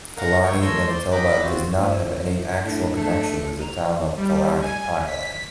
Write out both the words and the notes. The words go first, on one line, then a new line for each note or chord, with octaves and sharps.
Killarney, Manitoba does not have any actual connection with the town of Killarney, Ireland.
A#4 F5 F#5 A#5
C#5 G5 C#6
A3 A#4 C#5 C6 E6
C5 D5 C6
A#4 D#5 G5 B5 D6 F#6
C4 F4 F#4
E3 A3 C#4 E4 F4 C5
A2 D4
A3
A#5
G3
G#5
B6